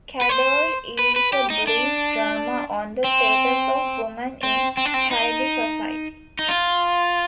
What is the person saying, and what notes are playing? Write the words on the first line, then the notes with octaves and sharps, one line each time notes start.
"Kadosh" is a bleak drama on the status of women in Haredi society.
B4
C5
B4
B4
G4
D#4
D4
C4
C4
C4
D4
C4
D#4
D#4
F4